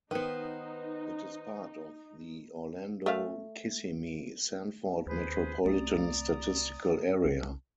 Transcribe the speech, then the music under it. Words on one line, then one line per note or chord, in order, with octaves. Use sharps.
It is part of the Orlando-Kissimmee-Sanford Metropolitan Statistical Area.
D#3 B3 D#4 B4 C5
A3 F5
D#2 G#4 B4 C5
C2 A3 C4 D5 A#5 D#6
C2